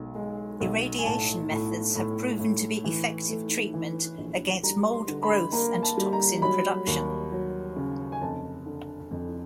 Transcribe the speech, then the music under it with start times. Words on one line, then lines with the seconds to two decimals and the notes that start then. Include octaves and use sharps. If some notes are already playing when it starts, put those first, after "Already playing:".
Irradiation methods have proven to be effective treatment against mold growth and toxin production.
Already playing: B1 G#3
0.15 G#3
0.60 B1
0.98 G#5
1.05 A2 A5
1.50 A2
1.95 A2
2.39 A2
2.84 E3
3.29 A3
3.74 E3
4.18 A#1
4.63 G3 A#5
4.93 C6
5.08 D3
5.23 B5
5.52 A#3 A#5
5.83 A5
5.98 G3
6.13 A#5
6.42 F#3 B5
6.87 D#2
7.32 F#3
7.76 C#3
8.12 G#5
8.21 F1 A5
8.66 D3
9.11 F2